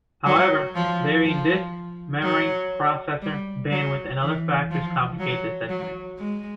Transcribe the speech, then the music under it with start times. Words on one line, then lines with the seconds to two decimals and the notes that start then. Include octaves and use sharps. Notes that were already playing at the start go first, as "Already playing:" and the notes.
However, varying disk, memory, processor, bandwidth and other factors complicate this estimate.
0.26 F#3
0.75 F3
1.24 F3
2.23 F#3
3.22 G3
3.71 F#3
4.21 E3
4.71 F3
5.19 F#3
5.69 F#3
6.19 G#3